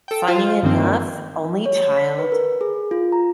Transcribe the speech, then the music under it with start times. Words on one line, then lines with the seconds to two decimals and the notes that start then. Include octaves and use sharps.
Funny enough, only child,
0.08 A4 G5
0.27 F4 C5
0.63 G2 D#3 A#3 C4
1.66 C#5
1.97 B6
2.19 B4
2.32 A#4
2.61 G#4
2.91 F4
3.12 A#5